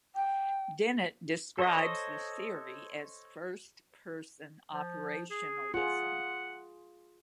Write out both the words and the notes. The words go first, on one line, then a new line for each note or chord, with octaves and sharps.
Dennett describes the theory as "first-person operationalism".
G5
A4 C5 C#5 D#5
F3
G#4
F4 G#4 F#5